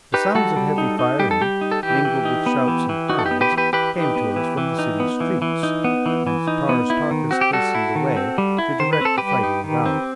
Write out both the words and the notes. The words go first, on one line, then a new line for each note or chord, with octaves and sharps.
The sounds of heavy firing, mingled with shouts and cries, came to us from the city's streets, and Tars Tarkas hastened away to direct the fighting without.
D#4 G4 B4
G3 F#4 A4
G3
D#4
D#4
G3 G4
A4
G3 G4
D#4
A4
E3 G4
E3
D#4
B3
E3
E3
D#4 F#4
A4
G4
B3
G4 B4
E3
G4 B4
E3 G4 B4
D#4
B3
E3
E3
D#4
B3
E3
E3
D#4
B3
E3
E3
D#4
B3
E4
D#3
C4 F#4
G4
G3 F#4 A4
E4
D#3
C4
G3
E4
D#3 C5
B4
C4 A4
G3 G4 B4
D#4
D#3
C4